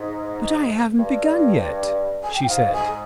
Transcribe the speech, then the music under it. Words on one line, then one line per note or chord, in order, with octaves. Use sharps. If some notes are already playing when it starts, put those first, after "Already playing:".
"But I haven't begun yet," she said.
Already playing: G#2
G2
G#5
G5
G#2 F5
G#5